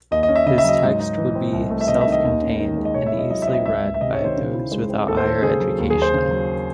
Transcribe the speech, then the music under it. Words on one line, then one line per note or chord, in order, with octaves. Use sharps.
His text would be self-contained and easily read by those without higher education.
D#2 D#5
D#5
C#4
E5
C#3 D#5
E5
F#3 D#5
G#2
D#4
E3
C4
C2
A3
E5
C3 D#5
E5
D#3
D#5
D#2
C#4
D#3
G#3
D#5
C3 C#5
E5
E4
D#5
F#3 D#5
E5
C4 D#5
E5
C#2 E5
C#2
E5
C3 D#5
C#5
D#3 C5
C#3
E4
G#3
C4
D#2 A4
C5
D#2 A4
C#3 G#4
F#3
D#2
G#4
D#2
C5
C#3
F#3